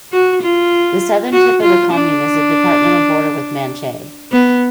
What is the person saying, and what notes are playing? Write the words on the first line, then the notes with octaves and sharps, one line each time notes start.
The southern tip of the commune is the departmental border with Manche.
F#4
F4
F#4
F4
D4
B3